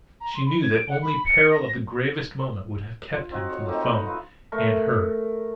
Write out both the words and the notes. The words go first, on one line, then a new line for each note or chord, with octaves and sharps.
She knew that only peril of the gravest moment would have kept him from the 'phone--and her.
A#5
C6
B5
G#6
D7
F#5
B5
C#7
A#6
F4
C4 D#4 F4 F#4
C#5 A#5 C#6
A3 A#3 C4 D#4
B4
F4 B4 E5
A3 A#4